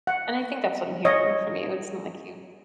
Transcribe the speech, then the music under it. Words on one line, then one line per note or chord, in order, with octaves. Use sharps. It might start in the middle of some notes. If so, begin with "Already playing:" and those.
and I think that's what I'm hearing from you, it's not like you
F#5
C#5 D#5